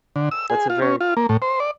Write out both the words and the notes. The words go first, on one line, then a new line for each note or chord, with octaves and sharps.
That's a very
D3
E6
G#4
F4
C#4
F4
A#3
A2
C5
D5